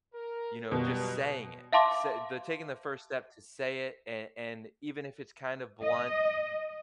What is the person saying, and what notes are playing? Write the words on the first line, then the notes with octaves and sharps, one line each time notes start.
you know, just saying it, s they're taking the first step to say it and and even if it's kinda blunt,
A#4
B2 F#3 G3 F4
E5 F5 A5 C6 D6
D#5